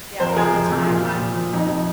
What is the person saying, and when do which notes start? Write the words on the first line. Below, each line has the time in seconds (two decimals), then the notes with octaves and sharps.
yeah, about the time I'm,
0.20 F2 C5
0.29 A#4
0.36 C3 F3 G#4
0.46 A#4
0.54 F2
0.71 C3 F3
0.86 A#2 F4
1.03 F3
1.19 A#2
1.36 F3
1.53 F2 D#4
1.69 C3 F3